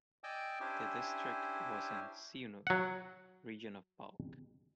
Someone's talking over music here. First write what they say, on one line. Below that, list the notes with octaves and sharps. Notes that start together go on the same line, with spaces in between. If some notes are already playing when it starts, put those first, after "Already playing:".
The district was in Siunik, region of Balk.
D5 D#5 G5 G#5 D6 E6
C#4 D4 E4 G4 C5 G#5
F#3 F#5